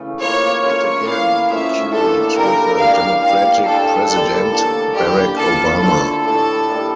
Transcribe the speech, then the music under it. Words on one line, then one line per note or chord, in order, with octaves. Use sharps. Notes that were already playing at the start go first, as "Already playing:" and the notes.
It again occurred with a Democratic President, Barack Obama.
Already playing: C#3 E3 A3
F3 A#3 E4 C#5
A3 C#4 F4 A#4 C#5
E3 A#3 E4 F5
A2 F3 A3 C#4 E5
A2 E3 A#3 D4 A4
C#3 G3 D4 A#4
A2 G3 A#3 D4 F5
A2 G3 A#3 F5
A2 G3 D4 A4
D3 G3 A#3 A4
A2 E3 A#3 A4
D3 G3 C#4 E4 G4
F3 A#3 E4 A4 A#4
D3 F3 A3 E4 A4
A2 E3 G3 A4
A2 G3 A#3